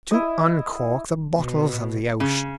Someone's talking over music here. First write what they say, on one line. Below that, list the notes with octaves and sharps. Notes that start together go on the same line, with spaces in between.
"To uncork the bottles of the ocean."
E4 D#5
B2
C#3